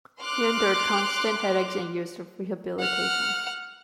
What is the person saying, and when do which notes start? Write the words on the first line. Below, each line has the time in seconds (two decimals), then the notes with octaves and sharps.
He endured constant headaches and years of rehabilitation.
0.22 C6 D6 F6 F#6
2.79 F#5 F6